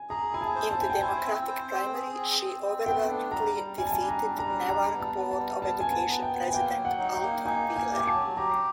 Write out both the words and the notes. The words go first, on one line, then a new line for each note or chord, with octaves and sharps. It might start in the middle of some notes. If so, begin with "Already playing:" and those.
In the Democratic primary she overwhelmingly defeated Newark Board of Education President Alton Wheeler.
Already playing: G#5
G#4 A#5
E4 G#5
A5
C5
A5
C5 G#5
G5
E4 G#5
C4
C5
C4
G#4
C4
C4
C4
B3 G5
D4
G3 A#5
G3
G3 G#5
A5
G#5
D4
A#5
G3
A#5
D4
G3 A#5
B3
A5
B3
A5
G3
B3 A5
B3 G#5
A5
B3
G5
B3
G#5
A#3 G5
F#3
F#5
D#4
G5
A#3
D#4 G#5
A#3
G#5
G4
G#5
A5
F#3
G4 A#5